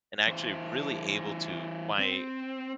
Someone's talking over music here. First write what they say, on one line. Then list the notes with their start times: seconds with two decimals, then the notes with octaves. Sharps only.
and actually really able to my,
0.28 E3 C5
1.99 C4